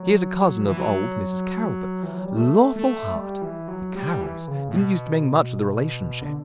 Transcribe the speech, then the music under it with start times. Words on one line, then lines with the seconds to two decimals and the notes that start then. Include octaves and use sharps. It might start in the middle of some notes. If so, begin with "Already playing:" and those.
She is a cousin of old Mrs. Carroll, but, lawful heart, the Carrolls didn't used to make much of the relationship!
Already playing: F#3
0.66 E3
0.77 F#3
2.03 E3
2.14 F#3
2.25 G3
2.36 A3
2.76 A3
3.15 G3
3.42 E3
3.68 F#3
3.95 G3
4.21 E3
4.48 C#3
4.68 A2
4.74 B2
6.22 D3